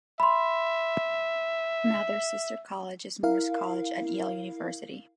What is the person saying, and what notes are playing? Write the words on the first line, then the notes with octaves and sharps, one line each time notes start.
Mather's sister College is Morse College at Yale University.
E5 B5 C6
E4 A#4 F5